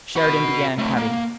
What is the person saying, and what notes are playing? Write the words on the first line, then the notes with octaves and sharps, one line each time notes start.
Sheridan began cutting.
F#4 B5
A3 C4
A#3